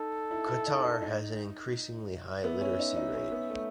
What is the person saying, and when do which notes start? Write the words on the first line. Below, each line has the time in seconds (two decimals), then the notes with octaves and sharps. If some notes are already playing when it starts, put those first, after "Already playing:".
Qatar has an increasingly high literacy rate.
Already playing: D#4 A4
0.31 E4
0.48 E4
0.67 D#4
0.84 D#4
1.02 D#4
2.44 B3 E5
2.61 C#4
2.79 D#4
2.96 D#4
3.14 C#4
3.32 B3
3.50 A3